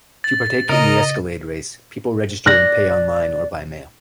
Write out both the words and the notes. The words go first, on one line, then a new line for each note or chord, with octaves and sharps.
To partake in the Escalade race, people register and pay online or by mail.
A6
C#3 D#4 A#4 D#5
D5 F#6 A#6